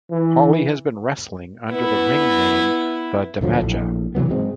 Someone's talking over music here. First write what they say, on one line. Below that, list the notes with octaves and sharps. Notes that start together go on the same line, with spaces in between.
Hollie has been wrestling under the ring name The Damaja.
E3
B3 E4
D#1 D3 F3 F#3
A#1 A2
C3 E3 F#3 B3
G#2 G#3 C4